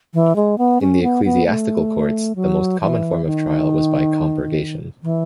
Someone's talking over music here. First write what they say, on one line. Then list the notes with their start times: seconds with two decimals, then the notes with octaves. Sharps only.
In the ecclesiastical courts, the most common form of trial was by compurgation.
0.14 E3
0.36 G#3
0.58 B3
0.81 C#4
1.03 B3
1.25 B3
1.47 A3
2.36 F#3
2.80 E3
3.25 D#3
5.03 E3